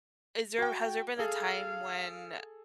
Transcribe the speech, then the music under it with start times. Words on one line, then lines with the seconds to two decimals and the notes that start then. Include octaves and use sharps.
is there has there been a time when, uh,
0.58 F#4 G5
1.19 G#4 A4 F5